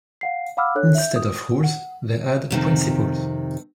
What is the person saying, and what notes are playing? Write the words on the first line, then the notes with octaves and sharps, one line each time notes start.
Instead of rules, they had principles.
F5 F#5 C7
F5 F#5 B5 D6 E6 F6
D4 A4 C#5 F#6
E5 G6
D#6
F#5
F2 C3 D#3